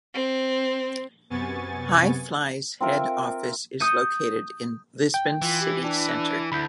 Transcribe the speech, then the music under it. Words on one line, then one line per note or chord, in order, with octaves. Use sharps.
Hi Fly's head office is located in Lisbon's city centre.
C4
F#2 C3 B3 G#5 C#6 A6
C4 F4 A#4 E5
D#6 G6 C#7 D#7
G5
E3 F4
G4
D4
D2 E4 B5 G6